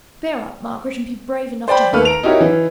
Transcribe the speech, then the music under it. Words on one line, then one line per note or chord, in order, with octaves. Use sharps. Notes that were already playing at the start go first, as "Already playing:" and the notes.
Bear up, Margaret, and be brave enough to hope!'
C5 D5 G5 B5
D#2 A3 A4 B4 F6
A#5 D7 F7
D#4 E4 F#4 G4 A#4 C#5
E3